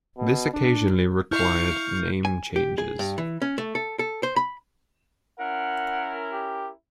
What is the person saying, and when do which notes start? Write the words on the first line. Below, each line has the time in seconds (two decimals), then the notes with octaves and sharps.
This occasionally required name changes.
0.17 B2
0.53 D4
1.31 E4 F5 C#6 F6 G6
2.25 G#5
2.56 G4
2.78 G#4
2.99 G2
3.18 E3
3.42 C#4
3.58 A3
3.75 A4
3.99 A4
4.23 C5
4.36 B5
5.39 C#4 E4 A#4 F#5
6.32 G4